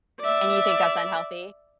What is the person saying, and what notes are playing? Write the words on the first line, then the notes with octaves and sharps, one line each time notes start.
And you think that's unhealthy?
D5 E5